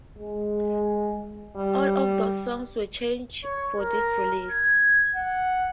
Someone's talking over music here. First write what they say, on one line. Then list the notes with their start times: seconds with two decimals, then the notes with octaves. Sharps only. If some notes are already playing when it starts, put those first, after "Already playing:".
All of those songs were changed for this release.
0.18 G#3
1.56 G3
3.44 C#5
3.79 A#4
4.51 G#6
5.15 F#5